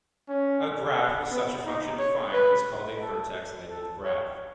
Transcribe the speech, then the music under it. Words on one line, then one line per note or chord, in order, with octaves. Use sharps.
A graph with such a function defined is called a vertex-labeled graph.
C#4
B3
D#4
C#5
B4
A4
A4
C#5